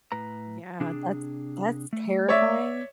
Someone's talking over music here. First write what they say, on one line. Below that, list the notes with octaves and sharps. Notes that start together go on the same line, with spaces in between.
Yeah, that's, that's terrifying.
A2 B4 A#5
C3 D4 G#4
A3
C#5 D5 E5